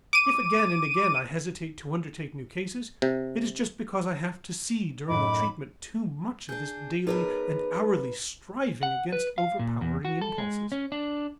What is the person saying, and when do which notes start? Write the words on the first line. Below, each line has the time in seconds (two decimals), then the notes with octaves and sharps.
If again and again I hesitate to undertake new cases, it is just because I have to see during the treatment too much of this daily and hourly striving against overpowering impulses.
0.13 D6 D#7
3.02 C3
5.08 F#2 A2 D#4 B5 D6
6.49 D4 G#4 G6
7.07 B3 D#4 G#4 A#4 B4 C#5
8.83 F#5
9.12 B4
9.38 F5
9.59 A#2
9.81 E2
10.05 F#4
10.21 A4
10.38 G#3
10.72 C#4
10.92 D4